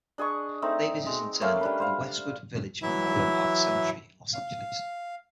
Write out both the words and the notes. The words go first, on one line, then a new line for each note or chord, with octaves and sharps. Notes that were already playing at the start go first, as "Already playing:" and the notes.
Davis is interred in the Westwood Village Memorial Park Cemetery in Los Angeles.
D4 G#4 D#5 C#6
A3 C4 D#4
G#3
A3 A#3 C#4 F5
G3 D4 B4
C5 F5
E3 F#3 E4 E5
F5